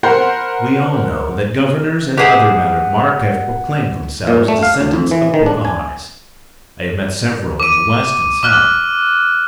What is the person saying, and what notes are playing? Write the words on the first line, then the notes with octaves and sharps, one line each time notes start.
We all know that governors and other men of mark have proclaimed themselves descendants of Pocahontas; I have met several in the West and South.
A#4 C5 F#5 B5 C6 G6
G4 G#4 B4 C5 F#5
A#2
A3
F5
D2
F2
E3
D#3
D4
G#5
D6 D#7
D6 F6 F#6